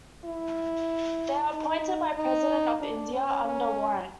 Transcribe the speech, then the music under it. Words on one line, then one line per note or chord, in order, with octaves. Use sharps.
They are appointed by President of India under warrant.
E4
D#4
D#4
D4
C#4
C#4